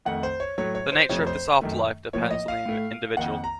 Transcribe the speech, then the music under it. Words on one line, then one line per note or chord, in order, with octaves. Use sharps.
The nature of this afterlife depends on the individual.
F2 D#3 A3 F#5
C5
C#5
A2 F#3 A3 C#5
C#5
C5
F2 C3 F3 A3 C#5
C5
F#2 D#3 A3
A2 F3 A#3 C#5
D#5
F5
A2 A3
F2 D#3 A#3 F#5
A#5